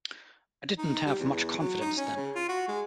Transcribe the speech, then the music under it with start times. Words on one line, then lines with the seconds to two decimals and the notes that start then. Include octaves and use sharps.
I didn't have much confidence then.
0.78 D#4
1.06 G3
1.20 E2
1.59 F#3
1.81 D#4
1.98 C#4
2.17 C#3
2.35 F4
2.49 F#4
2.68 G#3